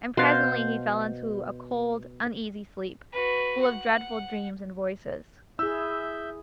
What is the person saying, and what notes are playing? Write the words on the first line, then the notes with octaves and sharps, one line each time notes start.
And presently he fell into a cold, uneasy sleep, full of dreadful dreams and voices.
B2 C5 F5 F#5
F#4 B4
F#5
E4 G#4 E5 E6 G6